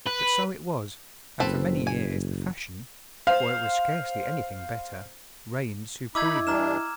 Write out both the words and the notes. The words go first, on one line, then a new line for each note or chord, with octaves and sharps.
But so it was, and for many years the fashion, for it was scarcely anything better, reigned supreme.
B4
F#1 C4 A4 B4
G#5
C5 F5
D#4 E4 D#5 E5 B5 D6 E6 G#6
G2 E3 D4 A#5 F6 E7